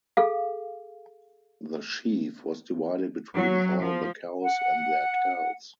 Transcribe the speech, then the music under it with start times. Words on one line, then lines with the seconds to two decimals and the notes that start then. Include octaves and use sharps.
The sheaf was divided between all the cows and their calves.
0.17 G#4 A4 F5
3.33 F#3
3.82 F3
4.42 F#5